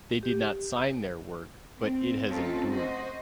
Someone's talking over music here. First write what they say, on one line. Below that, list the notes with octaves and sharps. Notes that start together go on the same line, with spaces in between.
They did not sign their work, but it has endured.
G4
C4
A3 C4 C#4 D#4 F4 A4
F#4 C5 D#5